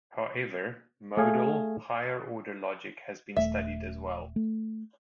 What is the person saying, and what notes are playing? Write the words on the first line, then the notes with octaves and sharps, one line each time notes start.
However, modal higher-order logic has been studied as well.
A3 G#4 F5 G#5
D#1 A3 E5
A3